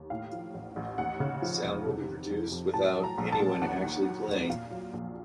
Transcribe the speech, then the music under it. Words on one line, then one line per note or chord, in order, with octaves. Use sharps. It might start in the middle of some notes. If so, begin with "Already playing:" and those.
Sound will be produced without anyone actually playing.
Already playing: D#2
A2 F5
F3
A1
A1
D#2 F#5
C#3
F3
F1
C3
D#3
F2
F2
A2 A5
F#3
A#5
A#1
A5
A#1
D#2 F#5
D#3
F#3
F1
A#2 F5
F#3
A#1